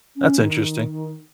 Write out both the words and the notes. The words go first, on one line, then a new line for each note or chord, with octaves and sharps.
That's interesting.
C#4
D#3